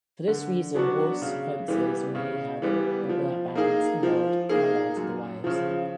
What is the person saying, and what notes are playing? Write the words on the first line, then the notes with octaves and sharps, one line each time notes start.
For this reason horse fences may have rubber bands nailed parallel to the wires.
D3
F#3 B3 D4 F#4
C#3
E3 G3 B3
C#3
E3 G3 B3
F3
A#3 D#4 G#4
F3
A#3 D#4 G#4
F#2
C#3 F3